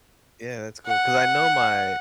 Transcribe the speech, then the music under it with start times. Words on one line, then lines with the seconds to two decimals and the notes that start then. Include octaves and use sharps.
Yeah. That's cool, 'cause I know my
0.87 F#5